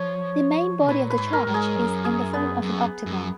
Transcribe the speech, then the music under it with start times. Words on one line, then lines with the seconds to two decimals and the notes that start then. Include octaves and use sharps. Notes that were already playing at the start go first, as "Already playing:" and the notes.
The main body of the church is in the form of an octagon.
Already playing: F3 C#5
0.89 A#2 B4
1.10 B4
1.18 G#2
1.33 A#4
1.47 G#2
1.54 G#4
1.76 F#2
2.05 G#4
2.34 B3
2.62 F#2
3.06 F#2